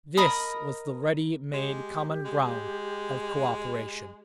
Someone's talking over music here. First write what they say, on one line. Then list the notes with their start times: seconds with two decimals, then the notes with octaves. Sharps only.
This was the ready-made, common ground of cooperation.
0.17 A#4 D#5 B5 D#6
1.53 G#3 G4
2.25 G#3